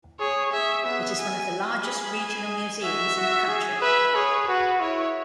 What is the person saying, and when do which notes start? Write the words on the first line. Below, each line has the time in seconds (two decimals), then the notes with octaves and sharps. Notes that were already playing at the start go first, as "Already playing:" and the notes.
It is one of the largest regional museums in the country.
0.20 G#4 C#5
0.52 G#4 E5
0.85 B3 E5
1.19 G#5
1.84 G#4 B5
2.17 G#5
2.83 F#4 E5
3.16 F#4
3.49 G#4
3.82 B4 E5
4.15 G#4 C#5
4.47 F#4 B4
4.80 E4 C#5